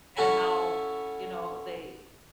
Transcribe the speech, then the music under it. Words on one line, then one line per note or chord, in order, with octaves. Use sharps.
and how, you know, they
C#4 E4 F#4 A4 G#5 B5